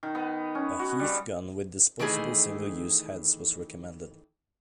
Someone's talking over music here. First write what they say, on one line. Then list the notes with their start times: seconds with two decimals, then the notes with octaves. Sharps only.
A Heaf gun with disposable single-use heads was recommended.
0.03 D#3
0.15 B3
0.55 C#4
0.79 F#4
0.99 G3
1.99 D#3 E3 A3 G#4 D#5